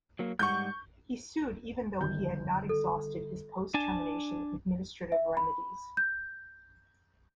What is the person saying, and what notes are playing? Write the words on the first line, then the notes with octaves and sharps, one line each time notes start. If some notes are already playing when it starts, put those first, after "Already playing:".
He sued even though he had not exhausted his post-termination administrative remedies.
F#3 A#3
G#2 G3 F#5 C#6 G6
G1 D#3 G6
A4
D4 G#5 A5
E5
B5
G6